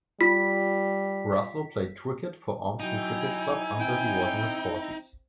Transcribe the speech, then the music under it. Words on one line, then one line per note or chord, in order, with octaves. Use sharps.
Russell played cricket for Urmston Cricket club until he was in his forties.
G3 F4 B6
F#3 D#4 E4 G5 G#5
C4 G5